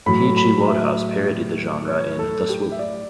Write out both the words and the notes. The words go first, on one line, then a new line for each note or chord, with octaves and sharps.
P. G. Wodehouse parodied the genre in The Swoop!
A2 F#3 B5
B5
E5
C#5
A4
G4
E5
D5